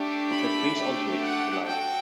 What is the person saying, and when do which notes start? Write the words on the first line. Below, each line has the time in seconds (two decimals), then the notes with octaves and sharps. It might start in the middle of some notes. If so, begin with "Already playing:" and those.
You can freeze on to it, if you like.
Already playing: A3 D4 G4
0.31 B5
0.77 A3 D4 G4
1.22 F#5
1.68 F#4 A4 G5